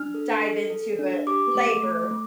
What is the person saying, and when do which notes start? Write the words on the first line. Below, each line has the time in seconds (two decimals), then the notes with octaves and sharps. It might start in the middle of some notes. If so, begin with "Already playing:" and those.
m dive into it later,
Already playing: D4 F6
0.14 A4
0.43 A4
0.70 A4
0.99 D4
1.27 G4 D6
1.55 A3
1.83 A3
2.11 A3